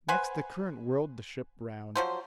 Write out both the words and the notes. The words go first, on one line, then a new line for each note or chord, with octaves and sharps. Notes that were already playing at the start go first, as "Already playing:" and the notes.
Next the current whirled the ship round.
B4 C5 F#5 G#5
F3 F#3 C5